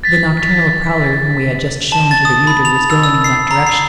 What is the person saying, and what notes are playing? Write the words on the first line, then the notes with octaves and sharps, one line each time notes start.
The nocturnal prowler whom we have just shown to the reader was going in that direction.
A6 B6
A5
A6
D#6
B5
F7
E6
E6
C7
A#5
C7